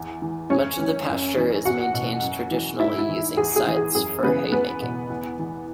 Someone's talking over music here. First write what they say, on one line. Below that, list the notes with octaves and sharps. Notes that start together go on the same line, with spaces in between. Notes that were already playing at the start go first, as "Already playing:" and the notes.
Much of the pasture is maintained traditionally using scythes for hay making.
Already playing: E2 E5
E3
F#2 C#4 C#5
E3
F#2
E3
E2 F#4 F#5
B2
F#2
E3
G#2 E4 E5
E4 E5
E3
E2 G#4
G#4
E3
G#4
F#2 G#4
C#3 E3 B3 B4
E2 B3 B4
B2
E2
E3